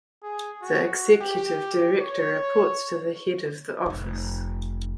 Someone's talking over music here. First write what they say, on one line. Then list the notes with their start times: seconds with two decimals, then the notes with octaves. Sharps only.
The Executive Director reports to the Head of the Office.
0.23 G#4
0.62 F#4
1.21 G4
2.00 C#5
3.86 F1 D#3